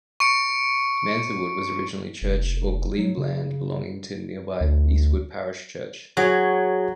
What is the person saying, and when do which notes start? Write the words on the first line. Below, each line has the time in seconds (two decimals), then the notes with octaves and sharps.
Mansewood was originally Church or 'Glebe' land belonging to nearby Eastwood Parish Church.
0.20 C#6 C#7 D7
2.22 F1
2.98 F#3
3.17 C#3
4.61 D2
6.17 F#3 F#4 G#4 C#5